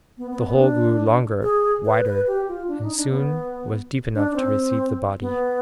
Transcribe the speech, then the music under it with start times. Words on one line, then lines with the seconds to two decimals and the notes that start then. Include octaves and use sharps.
The hole grew longer, wider, and soon was deep enough to receive the body.
0.18 B3
0.31 B3
0.45 B3
0.59 D4
1.43 G#4
1.85 B4
2.06 B4
2.27 G4
2.48 F4
2.68 D4
2.83 D#4
2.97 D4
3.10 B3
4.15 D4
4.31 D4
4.36 C4
5.21 B3